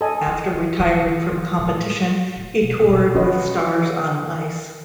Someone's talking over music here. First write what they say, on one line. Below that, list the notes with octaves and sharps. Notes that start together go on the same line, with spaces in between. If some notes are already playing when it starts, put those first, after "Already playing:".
After retiring from competition, he toured with Stars on Ice.
A4 D#5 G#5
E3
E3
E3
C#3
D#3
C#3
A2
A2
B2
A2
B2
D#3 C#4 F#4 B4 D#5